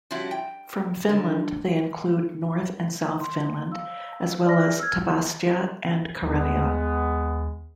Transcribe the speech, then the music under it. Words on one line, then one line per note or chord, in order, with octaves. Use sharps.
From Finland they include North and South Finland, as well as Tavastia and Karelia.
F3 G3 C#4 E4 F#4
G5
D3
C6
F5 E6
C5 D5 A5 F6 A#6
E6 F6 G#6
D#2 G#3 B3